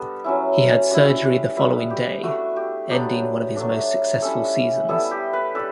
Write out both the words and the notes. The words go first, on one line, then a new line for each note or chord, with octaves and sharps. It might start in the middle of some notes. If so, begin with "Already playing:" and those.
He had surgery the following day, ending one of his most successful seasons.
Already playing: G3 B3 D4 A4
F#3 C#4 E4
G3 C#4 E4 F#4
G4
G3 B3 E4 F#4
G4
A3 D4 F#4
G4
F#3 B3 D4 G4
F#3 A3 D4
G3 C#4 E4 A4
G3 B3 E4 A4
G4
B4
G3 D4 A4